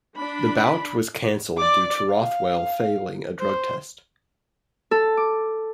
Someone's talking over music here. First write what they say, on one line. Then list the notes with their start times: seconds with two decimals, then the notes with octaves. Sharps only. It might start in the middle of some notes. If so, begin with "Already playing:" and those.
The bout was canceled due to Rothwell failing a drug test.
0.17 D4 B5
1.57 D5 D6
2.08 F5
3.40 C5
4.91 A4
5.17 D6